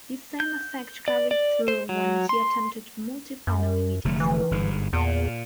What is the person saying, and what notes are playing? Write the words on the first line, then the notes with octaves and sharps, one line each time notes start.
This same effect carried through when he attempted multifamily meetings alone.
G6
D5
D5
C5
F#3
C6
F#2
F1 D3 A3
E3
G1 G#2
E2 A#2